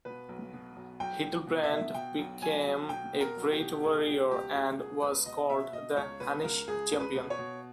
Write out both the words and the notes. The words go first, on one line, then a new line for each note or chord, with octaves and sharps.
Hildebrand became a great warrior and was called the Hunnish champion.
B2 B4
B1
B2
B1
B1 G5
B1
B2
E5
B2
B2 G5
B1
B1 G#5
B1
B2 G5
B2
A#4
B1
G4
B2
C#2 G#4
B2 G4
C#2 G4
C#2 G4
B2 G#4
C#2 B4
B2 D#5
B2 E5
B2 D#5
C#2 C#5
B2 B4
C#2 A#4
C#2 G#4
C#2
B4
B2
C#5
B2